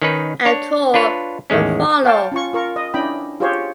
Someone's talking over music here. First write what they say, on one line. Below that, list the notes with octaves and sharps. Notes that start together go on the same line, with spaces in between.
A tour will follow.
D#3 C#4 D#4 B4
D4 C#5
D4 F4 B4 C#5
A1 E2 D#3 G#3 C#4
C#5 F5 G5 A5
C#4 F4 C#6
F4 A#4 C#6
D#5
C#4 D4 E4 D#5 G5 B5
F4 G4 G#4 C5 C#5